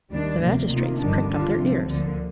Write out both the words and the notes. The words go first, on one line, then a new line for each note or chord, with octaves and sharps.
The magistrates pricked up their ears.
D#2 D#3 G3 D4
D2 C3 F3 A#3
C3 D#3 A#3 F4
G1 F2 D#3 G3 D4
D#2 D3 G3 D4 F4
C2 C3 F3 C4
D2 D3 F3 A#3